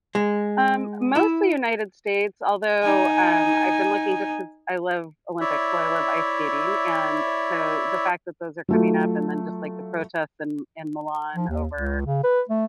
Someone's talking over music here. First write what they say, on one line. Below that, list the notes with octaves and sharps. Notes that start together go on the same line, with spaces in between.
Um, mostly United States, although, um, I've been looking just 'cause I love Olympics, well, I love ice skating, and, so, the fact that those are coming up, and then just, like, the protests in in Milan over
G#3
E4
D#4 G#5
E4 C#5 D5 E5
F#3 A3 F4
F3
D#2
C#2
C#3
B4
A3